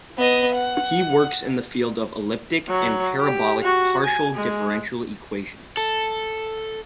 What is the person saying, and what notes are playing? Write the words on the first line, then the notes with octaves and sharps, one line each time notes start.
He works in the field of elliptic and parabolic partial differential equations.
B3 D#5
F#5
F#3
G4
F#4
G#5
G#3
A4